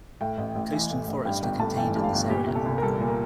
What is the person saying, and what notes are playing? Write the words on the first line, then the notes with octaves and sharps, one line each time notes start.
Coast and forest are contained in this area.
A2 G5
A1
A1
E3
A2
A1
G2 G5
G1 G5
A3 A5
E3 G5
G2
F5
G1
A#2 G4
C2
A4
C2
A#4
G3 A4
A#2
A#4